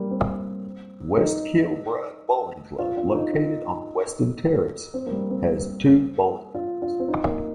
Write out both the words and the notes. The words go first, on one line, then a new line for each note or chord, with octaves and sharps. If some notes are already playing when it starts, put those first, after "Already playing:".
West Kilbride Bowling Club, located on Weston Terrace, has two bowling greens.
Already playing: G3 A#3
C4
D#4
F4
F4
D#4
D#4
C4
A#3
G3
C4
F4
F4
C4
D#4
A#3